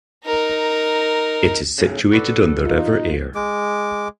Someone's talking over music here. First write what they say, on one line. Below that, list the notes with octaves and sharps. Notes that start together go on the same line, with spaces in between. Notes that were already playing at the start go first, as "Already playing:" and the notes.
It is situated on the River Ayr.
D#4 A#4
B1 A2 C#3
F#4 A4 B4 D5
D#4 F4
G#3 D6